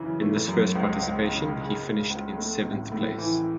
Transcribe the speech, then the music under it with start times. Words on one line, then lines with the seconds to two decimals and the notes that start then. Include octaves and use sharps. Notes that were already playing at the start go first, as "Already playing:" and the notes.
In this first participation, he finished in seventh place.
Already playing: F#2 C#3 E3
0.20 A3
0.48 F#2
0.75 C#2
1.03 C#2
1.29 C#3
1.56 G#3
1.83 C#2
2.10 C#2
2.37 A3
2.64 A1
2.92 A2
3.18 E3